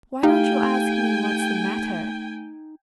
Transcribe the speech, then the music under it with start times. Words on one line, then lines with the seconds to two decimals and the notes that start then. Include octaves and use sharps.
"Why don't you ask me what's the matter?"
0.23 A3 D#4 G4 F5 G5 G#5